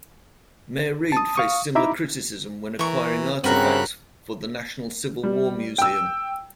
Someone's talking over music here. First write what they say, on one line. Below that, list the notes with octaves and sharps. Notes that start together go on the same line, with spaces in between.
Mayor Reed faced similar criticism when acquiring artifacts for the National Civil War Museum.
A5 D#6
F5 C#6 D#6
D#4 E4 E5 A#5 B5 D6
E3 A#4 C#6
G2 C#3 C4 F#4 A#4 B5 F#6
G3
G5 E6